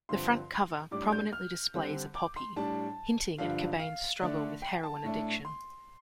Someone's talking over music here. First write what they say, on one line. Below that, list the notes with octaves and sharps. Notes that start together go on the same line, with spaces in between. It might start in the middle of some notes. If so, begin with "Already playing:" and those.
The front cover prominently displays a poppy, hinting at Cobain's struggle with heroin addiction.
G2 D3 F3 C4 C6
A2 G3 D4 D6
G6
F6
D3 G3 C4
D6
C6
A2 G3 D4 A5
G2 D3 F3 D4 F5
F5
D3 A3 D4 D5
G5
A5
A2 A3 D4
C6